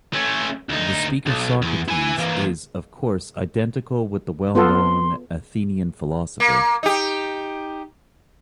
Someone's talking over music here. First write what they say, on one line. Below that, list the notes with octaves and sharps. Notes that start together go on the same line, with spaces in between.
The speaker Socrates is, of course, identical with the well-known Athenian philosopher.
A3 C#4
D2 D#4
B1
E2
E4 G#5
E3 A#3
B3 F4 A4 C6
A#3
D#4 G4